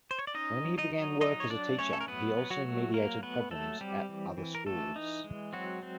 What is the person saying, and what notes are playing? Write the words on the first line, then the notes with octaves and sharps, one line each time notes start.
When he began work as a teacher, he also mediated problems at other schools.
C5
C#5
D5
C#4 D#4 D#5
F#3
D#4 D#5
F#3
F#3 D#4 D#5
C#5
F#3 D4 D5
A3 C#4 C#5
A4
A#4
F#3 B3 B4
F#3
F#3 F#4
A3
F#3 A#3 A#4
A3 B3 B4
F#3 A3 A4
G3 C4 G4
E3
E3
A#4
E3 A3 A4
E3 D#4
G#3
F#3 C4 F#4
C4